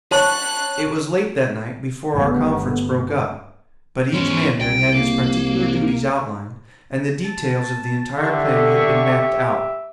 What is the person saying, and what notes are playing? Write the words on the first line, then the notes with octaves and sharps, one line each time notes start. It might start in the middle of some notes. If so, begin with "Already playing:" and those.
It was late that night before our conference broke up, but each man there had his particular duties outlined, and the details of the entire plan had been mapped out.
C#5 A5 C#6 F#6
G1 A3 B3
E2 G#2 C#4
C2 G5
A#3
A5
D3 G4 E5 C#6